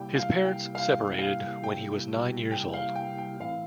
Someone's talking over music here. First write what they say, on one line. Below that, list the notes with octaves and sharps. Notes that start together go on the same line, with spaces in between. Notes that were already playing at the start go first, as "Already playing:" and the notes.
His parents separated when he was nine years old.
Already playing: C3 G3 A#3 E4 G4 G5
F5
G5
F5
F5
G5
G5
F5
G5
G5
A2 E3 A3 C4 E4 F5